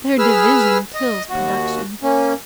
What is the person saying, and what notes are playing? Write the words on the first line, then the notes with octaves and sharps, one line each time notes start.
Their division kills production.
G#4 B4 E6 F6
D#5
D#2 F#4
A#3 C#4